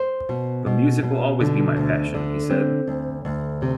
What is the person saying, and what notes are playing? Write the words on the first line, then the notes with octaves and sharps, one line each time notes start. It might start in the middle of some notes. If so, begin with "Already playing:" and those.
But music will always be my passion, he said.
Already playing: C5
B2
B2
B2
D3
D2
D3
C4
D2
D2
C3